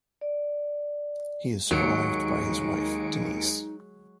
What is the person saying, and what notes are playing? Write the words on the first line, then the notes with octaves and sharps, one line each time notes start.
He is survived by his wife Denise.
D5
D#2 F#3 G#3 D#4 C#7 D7